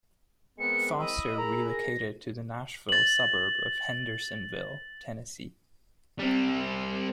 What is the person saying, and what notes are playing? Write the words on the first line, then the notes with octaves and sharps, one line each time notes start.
Foster relocated to the Nashville suburb of Hendersonville, Tennessee.
G#3 B3 C4 A#4 C#7
E4 D#5
G#4 A#4 A#5
A#6
A6 F#7
G3 C4